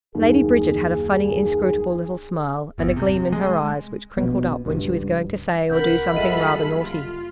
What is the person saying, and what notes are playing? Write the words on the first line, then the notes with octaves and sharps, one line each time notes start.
Lady Bridget had a funny inscrutable little smile and a gleam in her eyes which crinkled up when she was going to say or do something rather naughty.
F#1 D#2 D#3 G#4
G1 E2
C3
G#3
A#1 B2
C#2 G2
C2 D4 A#4 F#5 B5 G6
F#1 G3 F4 G#4 A4 D#5 E5 D#7
F4